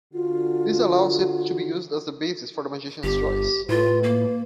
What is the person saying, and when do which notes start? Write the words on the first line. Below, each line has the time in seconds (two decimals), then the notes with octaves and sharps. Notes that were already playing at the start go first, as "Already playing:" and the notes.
This allows it to be used as the basis for a Magician's Choice.
0.14 D3 F4 F#4
3.04 G1 G4
3.69 A2 F4 B4
4.03 A#3